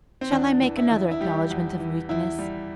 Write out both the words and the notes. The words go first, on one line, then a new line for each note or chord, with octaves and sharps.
Shall I make another acknowledgment of weakness?
C4
E2 D4
E3
E4
E2
E4
G3 G4
E2
E3
E2 E4
G3